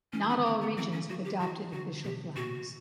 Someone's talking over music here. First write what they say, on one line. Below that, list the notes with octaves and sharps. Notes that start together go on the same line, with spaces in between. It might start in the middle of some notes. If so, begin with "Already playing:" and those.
Not all regions have adopted official flags.
E3 C#4
D#3 C#4
D3
C4
D#3
B3
E3 C4
C#4
F#3 F#4
G4
E3 F#4
D3 F#4
B2 G4
A#2 F#4